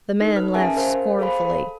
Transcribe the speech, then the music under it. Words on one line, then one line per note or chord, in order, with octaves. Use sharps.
The man laughed scornfully.
D#4 A4
B4 F6
C#4 G#4 A#4 E5 G#5 A5
A#4 C5 F5
G#4 A4 C5 F5 B5
A4